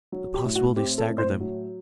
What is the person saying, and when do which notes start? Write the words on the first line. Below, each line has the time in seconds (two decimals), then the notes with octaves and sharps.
The possibility staggered them.
0.12 F#3
0.34 G4
0.44 A2
0.56 F#4
0.76 C4 G4
0.98 A4
1.08 A2
1.18 C5
1.40 F#3